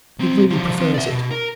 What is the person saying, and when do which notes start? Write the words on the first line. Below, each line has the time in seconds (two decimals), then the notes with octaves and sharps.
He really prefers it.
0.19 B1 C4
0.50 F3 G3
0.78 F3 C4
0.94 D5 E5
1.10 B2
1.31 A#4